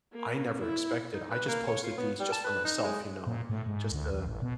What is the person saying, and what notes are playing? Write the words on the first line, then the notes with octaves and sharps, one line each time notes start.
I never expected. I just posted these just for myself, you know, just to
A#3
E4
D#4
B4
A#3
C#5
F4
B3
G3
A5
B4
D#4
G#3
A#2
A2
G#2
D2
F2
A1
B2